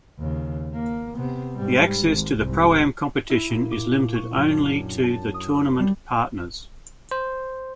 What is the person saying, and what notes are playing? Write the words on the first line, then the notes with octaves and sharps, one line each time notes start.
The access to the pro-am competition is limited only to the tournament partners.
D#2 C#3
A#3
C3 B3
G#2 G3
G#1
C2 G#2
E4
A#2
D6
A#2
C#6
F#2
D4
A5
D#6
B5
G3
C5